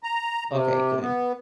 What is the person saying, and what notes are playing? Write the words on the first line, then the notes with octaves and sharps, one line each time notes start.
Okay, good.
A#5
C3
B3